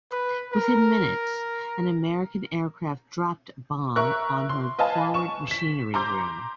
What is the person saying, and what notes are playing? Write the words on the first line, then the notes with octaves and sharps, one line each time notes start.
Within minutes, an American aircraft dropped a bomb on her forward machinery room.
B4
A#4
A#4 E5 C#6 F#6
C6
B4 D#5 F5 G#5 A5
C#6 E7
B6 E7
A#5 C6 D6 G6